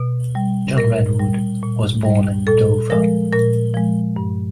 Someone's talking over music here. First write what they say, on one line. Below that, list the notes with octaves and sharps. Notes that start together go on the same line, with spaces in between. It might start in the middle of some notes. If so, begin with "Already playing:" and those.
John Redwood was born in Dover.
Already playing: B2
G3
A#2 A#4
G3
A#2
G3
A#2 A4
F3 G#3 A#4
A#2 A#4
F3 G#3
G2